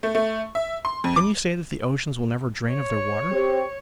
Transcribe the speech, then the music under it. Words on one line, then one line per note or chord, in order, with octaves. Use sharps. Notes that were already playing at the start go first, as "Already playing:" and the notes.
Can you say that the oceans will never drain of their water?
A3
A3
E5
C6
F2
D6
C#5
C4 G4